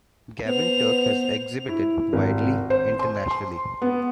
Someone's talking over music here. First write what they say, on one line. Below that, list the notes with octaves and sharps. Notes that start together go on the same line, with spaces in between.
Gavin Turk has exhibited widely internationally.
B3 C5 F7
E4
G#1
C5
C6
C6
B3